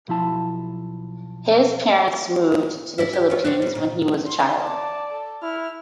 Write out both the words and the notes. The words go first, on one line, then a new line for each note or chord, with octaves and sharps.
His parents moved to the Philippines when he was a child.
B1 F3 E4 A5
E4 D5 E5
G4
F4 C#5
C4 D4 C#5
G3
A#2
C6
D5 A5
A4
E4 F6